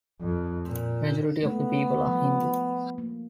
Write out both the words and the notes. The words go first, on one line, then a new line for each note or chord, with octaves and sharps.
Majority of the people are Hindu.
F2
A#2
G#3 A3 B3
F3 G3
A#3